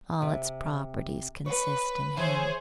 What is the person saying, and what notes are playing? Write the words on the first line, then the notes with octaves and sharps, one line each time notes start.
All its properties consist in him.
C3
B4 C#5
E3 G#4 C5 C#5